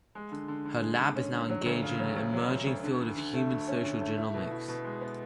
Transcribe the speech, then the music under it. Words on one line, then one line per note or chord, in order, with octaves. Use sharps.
Her lab is now engaged in an emerging field of human social genomics.
G#3
D3
D3
D3
G#3
D3
C#4
D3
F#3
D2
C#3
F#3
D2
F#3
D2
D2
D3
D3
D3
A3
D3
C#4
D3
A3
E4
B2
E4
B2
G#3
B3